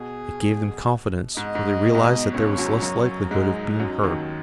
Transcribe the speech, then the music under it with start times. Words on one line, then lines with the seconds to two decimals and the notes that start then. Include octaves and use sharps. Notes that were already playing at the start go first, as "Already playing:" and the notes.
It gave them confidence, for they realized that there was less likelihood of being heard.
Already playing: B2 G#4
1.37 G#2 D#5
1.55 G#2
1.85 B2
1.95 G#2
2.04 B2
2.34 C#2 C#3 C#5
2.58 F#2 F#3
2.82 F#2 F#3
3.31 G#2 G#3 D#4
3.80 F#2 F#3
4.03 D#2 D#3